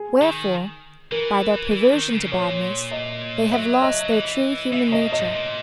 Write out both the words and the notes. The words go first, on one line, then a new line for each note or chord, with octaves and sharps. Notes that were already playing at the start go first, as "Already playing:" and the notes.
Wherefore, by their perversion to badness, they have lost their true human nature.
Already playing: G#4
D#3
E3 A#4
E3
D#3
C#3
A#2 C#5
D#5
F#3 E5
D#5
E3
E3 E5
C#3 D#5
B2
G#2 D#5
A#2